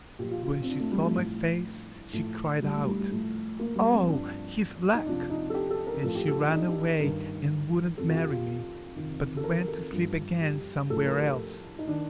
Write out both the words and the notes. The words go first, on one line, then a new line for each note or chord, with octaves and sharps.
But when she saw my face she cried out, 'Oh, he's black!' And she ran away and wouldn't marry me--but went to sleep again somewhere else.
A#2 F3 G4
F4
F4
C4
D4
A3
G3
A3
A2 F3
A2 F3 A3
G3
A3
G3
G3
A2 F3 A3
A#3
G3
C4
G2 F3 D4
D#4
F2 C3 F3 D4
D#4
A4
G4
A4
A#4
A2 F3 A4
G4
A4
D4
D#4
G4
G2 D#3 A#4
F2 C3 F3 A4
F4
G4
F4
F2 C3 D#3
A4
A#4
A#4
A4
G2 F3
G4
A2 F3 A4
A#4
G4
A4
D#4
D#3 D4